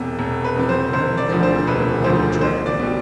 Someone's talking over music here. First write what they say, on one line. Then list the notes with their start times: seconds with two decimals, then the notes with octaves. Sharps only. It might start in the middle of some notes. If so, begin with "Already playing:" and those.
Betty guarded them like a little dragon.
Already playing: E1 E2 C3
0.19 E1
0.44 B4
0.56 E2 C3
0.69 C5
0.93 E1 C5
1.17 D5
1.30 D2 D3 F3
1.43 C5
1.67 E1 B4
2.04 D2 D3 F3 C5
2.41 B1 C5
2.66 D5
2.79 B2 G3